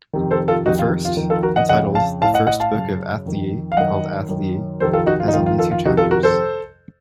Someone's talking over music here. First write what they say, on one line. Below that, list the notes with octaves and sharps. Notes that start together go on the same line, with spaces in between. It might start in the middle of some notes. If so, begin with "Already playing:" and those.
The first, entitled "The First Book of Athlyi Called Athlyi", has only two chapters.
F2 C3 D#3
A4 C5
F4 A4
F2 C3 D#3 D#4 F#4
F4
F4
F2 D#3
F4 A4
F#4 A#4
D#5 F#5
F2 C#3 D#5 F#5
F5 A5
A2 F5 A5
D#5 F#5
D#5 F#5
F5 A5
F#2 C#3
F2 D#3
F5
F#2 D#3 D#5 F#5
F#2 D#3
F2 C3 D#3 A4 C5
F4 A4
D#4 F#4
F4
D#4
F2 D#3 F4
F4
F4 A4
F4
F2 C3 D#3 D#4 F#4
F4 A4
F#4 A#4
A4 C5